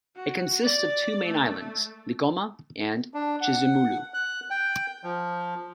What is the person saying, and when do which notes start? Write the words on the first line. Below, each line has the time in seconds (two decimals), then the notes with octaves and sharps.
It consists of two main islands, Likoma and Chizumulu.
0.16 F#4
0.64 D5
1.25 A3
1.60 A3
3.14 D4
3.41 F#5
4.14 F#6
4.50 G5
5.04 F3